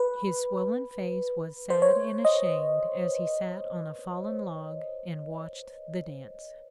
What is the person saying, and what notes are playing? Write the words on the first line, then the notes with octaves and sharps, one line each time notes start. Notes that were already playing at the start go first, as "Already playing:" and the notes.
His swollen face was sad and ashamed as he sat on a fallen log and watched the dance.
Already playing: B4
C5
C#5
D#5